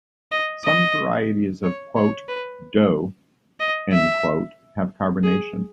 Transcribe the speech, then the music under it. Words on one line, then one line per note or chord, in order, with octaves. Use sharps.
Some varieties of "doogh" have carbonation.
D#5
D#5
C#5
C#5
B4
D#5
E5
G#4